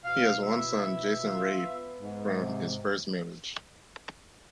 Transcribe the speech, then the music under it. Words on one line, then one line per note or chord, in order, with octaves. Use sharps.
He has one son, Jason Rabe, from his first marriage.
B2 F5
E4 E5
B2
F4
B3
G#2
C3